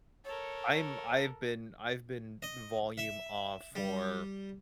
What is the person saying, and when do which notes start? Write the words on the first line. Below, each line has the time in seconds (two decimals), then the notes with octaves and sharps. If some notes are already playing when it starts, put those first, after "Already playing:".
I'm I've been I've been "volume off" for
0.25 A4 A#4 C#5
2.42 D#5
2.98 E5
3.75 G3